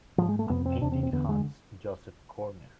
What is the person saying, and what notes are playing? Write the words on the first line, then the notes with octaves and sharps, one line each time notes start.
A painting haunts Joseph Koerner.
G#2 F3
G#3
A3
F2 C3 B3
C4
E2 C3 D4
C4
C4
E2 D3 B3
G#3